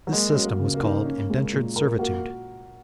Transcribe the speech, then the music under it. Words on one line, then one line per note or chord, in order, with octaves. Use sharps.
This system was called indentured servitude.
F#3
G#3 A#3
F#3 C#4
A#3
C#3
A#3
D#4
C#4
G#3
A#2
A#4
A#3 F#4